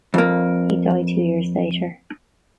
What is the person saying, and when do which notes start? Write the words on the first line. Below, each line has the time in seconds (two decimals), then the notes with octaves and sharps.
He died two years later.
0.14 F2 A#3